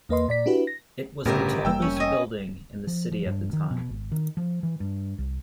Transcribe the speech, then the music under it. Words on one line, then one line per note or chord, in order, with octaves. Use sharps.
It was the tallest building in the city at that time.
E2 A#3 B4 D#5 C6
A#2 D5 B6
D4 E4 F#4 G4 B4
A#6
G1 A2 C#3 G4 A#4 E5
F1 G3 A#3 G5 E6
C#4
D#5 G#5
F3
F3
G2
D#3
B2
G#1
D#3
F3
E3
G2
C2